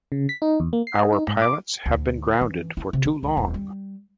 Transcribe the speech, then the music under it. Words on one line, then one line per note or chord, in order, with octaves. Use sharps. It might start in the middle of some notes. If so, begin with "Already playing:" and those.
Our pilots have been grounded for too long.
C#3
B6
D#4
E2
A#3
C7
D#5
D#4
G#2
D6
D2
E3
E4
C3
D4
C#2
D#1
G3